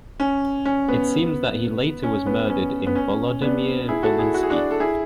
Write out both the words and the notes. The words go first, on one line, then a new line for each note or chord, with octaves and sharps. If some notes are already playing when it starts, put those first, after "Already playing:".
It seems that he later was murdered in Volodymyr-Volynski.
C#4
C#4
B3
C#4
B3
C#4
B3
C#4
B3 D4
E4 G#4
F#4 A4
E4 G#4
F#4
G#4
D4 F#4
A4
E4 G#4